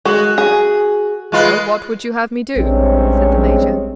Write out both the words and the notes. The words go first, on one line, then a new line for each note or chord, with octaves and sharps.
"Well, what would you have me do?" said the major.
G#3 F#4
G#4
G#3 F4 B4
A#1 G2 C3 G#3 C4 C#4